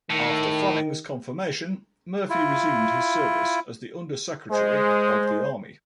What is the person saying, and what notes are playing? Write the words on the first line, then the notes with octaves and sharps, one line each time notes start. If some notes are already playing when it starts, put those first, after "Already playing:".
After Fanning's confirmation, Murphy resumed his service as the Under Secretary of the Army.
A2 D#3
E4 F4
G#3 C5